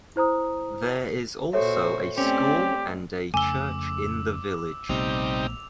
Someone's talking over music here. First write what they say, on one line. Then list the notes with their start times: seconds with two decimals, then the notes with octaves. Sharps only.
There is also a school and a church in the village.
0.16 E4 C5 A#5 D#6
1.53 A#2 F#4 A4 C5 C#5 E5
2.18 A3 C4 C#4 G4 D5
3.34 F2 C#3 A3 G#5 D6 E6 G7
4.89 A#1 C3 G3 A3 B3 D#4 F7